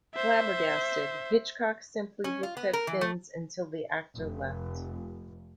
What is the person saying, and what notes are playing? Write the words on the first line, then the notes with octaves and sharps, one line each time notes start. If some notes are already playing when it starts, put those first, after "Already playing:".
Flabbergasted, Hitchcock simply looked at Thinnes until the actor left.
C5 E5
C#4
F4
B3
A#4
E3
A3
F1